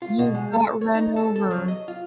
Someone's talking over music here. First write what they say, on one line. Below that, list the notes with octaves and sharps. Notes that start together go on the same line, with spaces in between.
You got run over.
F4
B2
G#3
A4
C#5
D#4
A4
A4
F#3
D#5
F4